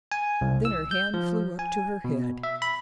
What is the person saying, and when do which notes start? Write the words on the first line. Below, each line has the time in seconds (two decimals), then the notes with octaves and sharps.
Then her hand flew up to her head.
0.12 G#5
0.41 C2
0.65 E6
0.91 G6
1.14 F3
1.59 G#5
2.04 B2
2.43 E5
2.62 B5